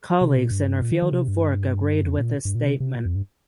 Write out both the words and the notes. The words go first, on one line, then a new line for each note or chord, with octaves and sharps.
Colleagues in her field of work agreed with this statement.
C3
A#2
G2
A#2
D#3
D#3
C3
G2
F2
A#2
G2
A#2
C3
C3
A#2
F2
G2